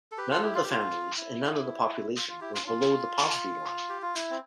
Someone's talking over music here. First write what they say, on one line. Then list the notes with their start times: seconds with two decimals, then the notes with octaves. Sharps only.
None of the families and none of the population were below the poverty line.
0.12 A4
0.18 G4 B4
0.31 F4 A4
0.43 E4 G4
0.55 F4
0.64 G4
0.71 F4
1.17 E4
2.16 F4
2.29 F4
2.41 E4 G4
2.54 F4
2.67 F4
3.89 G4
4.02 F4
4.14 E4
4.30 C4